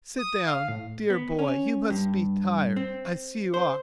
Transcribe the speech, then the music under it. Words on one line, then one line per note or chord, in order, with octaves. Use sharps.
Sit down, dear boy, you must be tired; I see you are.
D#6
F5
A2
B3
C#4
G2
C4
C5